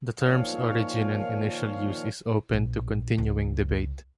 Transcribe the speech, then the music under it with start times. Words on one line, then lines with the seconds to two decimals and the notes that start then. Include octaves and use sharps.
The term's origin and initial use is open to continuing debate.
0.21 A#2 D#3 F3 C#5 F5
2.53 A#1
3.18 C#2